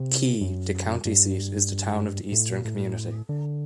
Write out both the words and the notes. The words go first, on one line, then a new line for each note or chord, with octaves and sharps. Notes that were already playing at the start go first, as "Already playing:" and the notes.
Key, the county seat is the town of the eastern community.
Already playing: C3
F#2
G2
A2
A#2
A2
D3